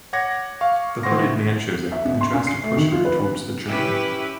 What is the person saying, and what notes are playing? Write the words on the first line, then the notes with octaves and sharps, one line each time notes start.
The hooded man shows up and tries to push her towards the train.
C#5 F#5 D6 G#6 A#6 C#7
F5 C#6
A2 C5 F#5 C6 C#6 A#6
E5
B2
C6
C#4
C7
A3
D#3
F4
B4
B4
C#4 E4 G4 B4